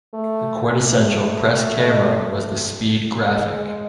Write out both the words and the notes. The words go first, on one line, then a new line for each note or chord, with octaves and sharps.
The quintessential press camera was the Speed Graphic.
A3
A3
G#3